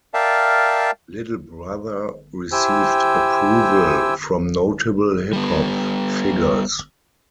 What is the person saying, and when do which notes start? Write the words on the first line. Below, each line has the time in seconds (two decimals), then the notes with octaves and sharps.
Little Brother received approval from notable hip hop figures.
0.14 A#4 D5 E5 F5 G5 A5
2.52 E4 G4 C5 G5 G#5 E6
5.33 G3 B3